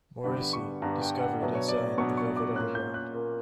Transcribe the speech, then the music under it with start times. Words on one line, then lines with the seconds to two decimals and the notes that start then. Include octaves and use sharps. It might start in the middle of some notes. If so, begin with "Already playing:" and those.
Morrissey discovered and signed the Velvet Underground.
0.24 G2 D3 G3 B3 B5
0.53 C#6
0.82 G2 D3 G3 B3 A#5
1.01 G5
1.21 F#5
1.40 B2 F#3 B3 D4 E5
1.55 C#5
1.68 D5
1.98 B2 F#3 B3 D4 C#6
2.17 C#6
2.36 D6
2.55 A#2 A#3 C#4 F#6
2.75 G6
2.94 F#6
3.14 A#2 A#3 C#4